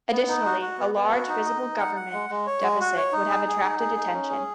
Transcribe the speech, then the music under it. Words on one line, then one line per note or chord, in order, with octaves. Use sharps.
Additionally, a large, visible government deficit would have attracted attention.
B3
D#4
F#4
F#4
B3
B3
F#4
D#4
D#5
D#4
F#5
F#5
G#3
G#3
C#5
G#3
F#4
C#5
D#4
G#4
G#4
D#4
G#4
D#4
C#4
G#4